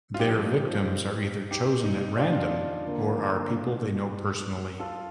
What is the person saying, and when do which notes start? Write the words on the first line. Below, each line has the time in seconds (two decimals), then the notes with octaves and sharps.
Their victims are either chosen at random or are people they know personally.
0.14 F4
0.19 C2 A#2 F3 D#4 G4
1.51 D#4 G4
1.84 D#4
2.16 D4 F4
2.82 D3 F3 A#3
4.80 F4 A4